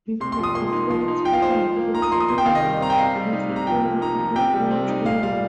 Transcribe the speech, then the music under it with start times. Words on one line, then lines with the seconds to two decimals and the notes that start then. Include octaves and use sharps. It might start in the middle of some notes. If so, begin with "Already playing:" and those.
This was the first time we had seen this plant on our journey.
0.20 C3 C6
0.32 C6
0.39 F3 D#6
0.55 A#3 C6
0.72 D#4
0.90 F3 C6
1.08 D#4
1.25 F3 G5
1.33 F5
1.42 D#4 C5
1.50 F5
1.60 F3
1.76 A#3
1.94 D#4 A#5
2.02 D#6
2.12 F3 C6
2.20 D#6
2.28 C3 C6
2.38 G5
2.46 D#3 F5
2.55 D#5
2.63 G3
2.81 C4 A#5
2.90 G5
2.98 C3 F5
3.15 G3
3.32 D#4
3.50 C3
3.56 A#5
3.67 F3 G5
3.85 A#3
4.01 D#4 A#5
4.19 F3
4.36 C3 G5
4.54 G3
4.71 C4
4.88 D#4
5.06 A#2 F5
5.23 G3 F5